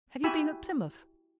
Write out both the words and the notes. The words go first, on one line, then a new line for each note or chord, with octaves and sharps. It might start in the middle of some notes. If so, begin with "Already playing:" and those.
'Have you been at Plymouth?
E4 F#4 G4 G#5 B5 E6